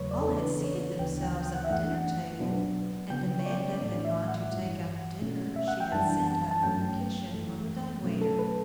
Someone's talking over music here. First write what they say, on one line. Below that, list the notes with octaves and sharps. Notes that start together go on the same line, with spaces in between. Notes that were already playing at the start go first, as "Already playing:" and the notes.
All had seated themselves at the dinner-table, and Amanda had gone to take out the dinner she had sent up from the kitchen on the dumb-waiter.
Already playing: E2 C#3 F#3 A3 B4 C#5
D5
A4
C#3 E3 B3 D4 B4
C#5
D2 C#3 E3 B3 D4 G5
G5
G5
F#5
E5
F#2 E3 A3 D4 F#5
B2 F#3 B3 D4
C#3 F#3 B3 G5
C#5
D5
A2 E3 A3 D4 D5
E5
F#5
G2 E3 G3
B2 A3 C#4
E5
F#5
G5
F#2 E3 G3 D4 A5
A5
A5
G2 F#3 A3 C#4 G5
F#2 E3 A3
B2 F#3 A3 C#4
A4
B4